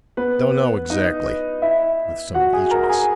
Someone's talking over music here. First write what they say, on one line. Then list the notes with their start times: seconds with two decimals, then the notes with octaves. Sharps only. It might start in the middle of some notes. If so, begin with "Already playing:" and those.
"Don't know, exactly," with some uneasiness.
0.17 B3 B4
0.90 D#4 D#5
1.62 E4 E5
2.35 F#4 F#5
2.53 G#4 G#5
2.71 A#4 A#5
2.83 A#5
2.89 G#4 G#5